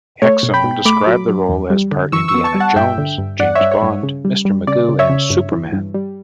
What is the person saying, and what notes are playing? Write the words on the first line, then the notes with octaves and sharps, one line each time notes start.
Hexum described the role as part Indiana Jones, James Bond, Mr. Magoo, and Superman.
A3 C#5
B2
G5 B5
B2
A3 B5 D6
F#3
F#3
E2
G3
D3
E3 C#6 E6
C#6 E6
B3
A5 C#6
G3
F#5 A5
G2 E5 G5
D3
G2
G2 D5 F#5
C#5 E5
G2
C#5
G2
C#3
G3
G3
C#3 D5
C#3
C#5 E5
C#3
G2
E3
G2
G3